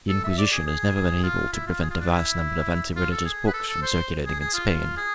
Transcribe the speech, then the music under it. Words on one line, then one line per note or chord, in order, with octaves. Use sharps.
The Inquisition has never been able to prevent a vast number of anti-religious books from circulating in Spain.
A4
E5
D5
G#4
G#4
G#4
F4
E4
F4
G#4
F4
D4
E4
F4
A4
G#4
B4
A4
A4
C5
G#4
G#4
F4
F4
G#4